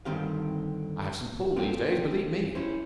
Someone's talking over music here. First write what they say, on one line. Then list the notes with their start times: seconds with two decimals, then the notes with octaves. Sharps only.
I have some pull these days, believe me.
0.05 G2 D3 D#3 C4 G4 F5
1.56 A3 A#3 C4 F4 G4
2.55 C#4 E4 C5